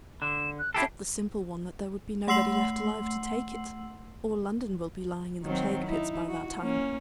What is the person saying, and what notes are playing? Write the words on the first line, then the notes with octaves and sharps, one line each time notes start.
"Except the simple one that there would be nobody left alive to take it. All London will be lying in the plague-pits by that time."
D3 E7
F#6
E4 G4 A4 C7
A3 F#5 C6 E6 C7 F#7
D#3 F#3 C4
D#4 E4
F#4
A#3 C#4